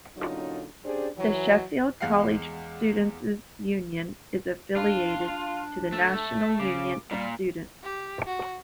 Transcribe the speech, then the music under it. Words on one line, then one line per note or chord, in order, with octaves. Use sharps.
The Sheffield College Students' Union is affiliated to the National Union of Students.
A#2 D3 F#3 C#4 D#4 F4
C#4 D4 G4 G#4 C5 D5
E3 F#3
E2 G#3 F5 F#5 C7
D4 F4
A3
C#3 D6
A#2 G3
G4
F#4